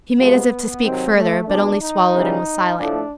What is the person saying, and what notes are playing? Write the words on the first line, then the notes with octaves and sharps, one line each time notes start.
He made as if to speak further, but only swallowed and was silent.
C3 F3 G#3 B3
C3 D#3 F#3 C4
A3
B2 G#3 D4
D#4
C#3 E3 G3
A2 F3 A3 D4